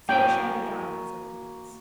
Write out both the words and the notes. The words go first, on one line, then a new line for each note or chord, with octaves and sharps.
"So it shall be done!" said the Prince.
A#3 F#4 G5 G#5